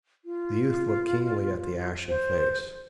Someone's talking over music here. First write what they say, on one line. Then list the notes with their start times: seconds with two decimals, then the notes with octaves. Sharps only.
The youth looked keenly at the ashen face.
0.25 F4
2.08 C5